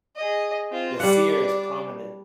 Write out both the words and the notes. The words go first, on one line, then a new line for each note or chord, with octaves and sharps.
The cere is prominent.
G#4 D#5
C4 F4
G3 D4 D5 F#5